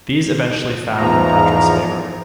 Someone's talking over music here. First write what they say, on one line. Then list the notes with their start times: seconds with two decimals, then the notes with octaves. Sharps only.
These eventually found in Patrick's favour.
0.97 E2 G#2 F3 A#5